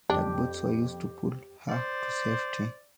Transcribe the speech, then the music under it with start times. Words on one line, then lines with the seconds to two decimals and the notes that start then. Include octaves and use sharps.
Tugboats were used to pull her to safety.
0.10 F2 D4 G4
1.69 C5 D5